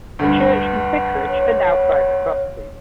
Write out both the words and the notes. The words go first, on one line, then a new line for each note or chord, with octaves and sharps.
The church and vicarage are now private properties.
D2 G2
C#5